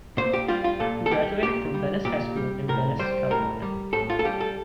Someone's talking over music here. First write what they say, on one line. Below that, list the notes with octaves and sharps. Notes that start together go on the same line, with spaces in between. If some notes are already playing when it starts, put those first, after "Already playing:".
He graduated from Venice High School in Venice, California.
A#2 C5
G4
G3 F4
F4
A#2 A4
A4
G3 G4
A#2 G4
G3
A#2 G4
G3
A2 A#4
G3 C5
A2 A#4
G3
A2 A4
F4
A4
G3 G4
A4